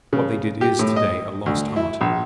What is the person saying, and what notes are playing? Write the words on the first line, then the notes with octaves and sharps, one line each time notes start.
What they did is to-day a lost art.
C#3
G4
A2
D#5
D2
E4
A#1